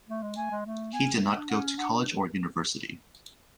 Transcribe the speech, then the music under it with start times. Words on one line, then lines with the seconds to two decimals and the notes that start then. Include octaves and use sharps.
He did not go to college or university.
0.09 A3
0.23 G#3
0.37 A3 G#5
0.51 G#3
0.66 A3
0.93 B3 G#5
1.03 C#4
1.12 B3
1.21 A3
1.36 D4
1.50 C#4 F#5
1.78 D4 F#5